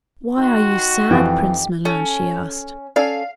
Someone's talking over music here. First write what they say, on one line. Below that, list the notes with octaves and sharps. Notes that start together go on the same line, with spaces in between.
"Why are you sad, Prince Milan?" she asked.
D#3 F#4 C6
F2 E3 G4 G5
C#4 A4
C#4 A4 D5 F5